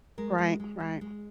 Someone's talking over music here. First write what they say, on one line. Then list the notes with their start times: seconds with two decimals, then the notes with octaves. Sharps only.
Right, right.
0.18 G#3 A#4
0.38 G#3
0.60 G#3
0.80 G#3
1.01 G#3